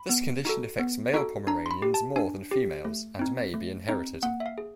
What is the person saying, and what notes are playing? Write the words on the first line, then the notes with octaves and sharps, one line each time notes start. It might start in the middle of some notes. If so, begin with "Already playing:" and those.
This condition affects male Pomeranians more than females, and may be inherited.
Already playing: B5
B3
D#4 F#4 A4
B3
D#4 F#4 A4
D4 A#5
C6
B5
G4
A5
D4 G#5
G4
A3
C4 D#4
A3
C4 D#4
A#3 F#5
E5
F5
G#4